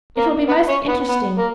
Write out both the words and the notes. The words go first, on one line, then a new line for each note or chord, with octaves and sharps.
It will be most interesting.
A#3 A#4
B3 B4
C#4 C#5
B3 B4
B3 B4
A#3 A#4